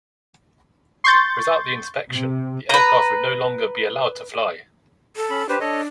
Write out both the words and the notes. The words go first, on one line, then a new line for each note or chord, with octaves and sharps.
Without the inspection, the aircraft would no longer be allowed to fly.
C6 C#6 G6 A6
C3
B4 A#5
A4
C#4 B5
D4 G4 B4 C5
D4 A4 C#5 D#5